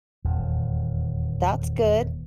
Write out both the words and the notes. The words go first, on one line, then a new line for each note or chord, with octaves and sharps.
That's good.
D#1 E2